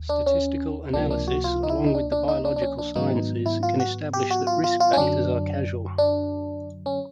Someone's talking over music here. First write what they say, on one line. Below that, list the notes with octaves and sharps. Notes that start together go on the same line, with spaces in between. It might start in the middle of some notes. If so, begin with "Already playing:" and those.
Statistical analysis along with the biological sciences can establish that risk factors are causal.
Already playing: D#2
D4
C#4
C#2 C3 F3 A#3 D4
D4
F#4
F4
D#4
E4
D#4
D4
D4
D#4
D4
D4
C#4
D4
G#2 D#3 F#3 B3 D#4
E4
F4
F#4
G4
F#4
F4
F4
F4
C#4
F#2 D3 F#3 D4
D4
C#4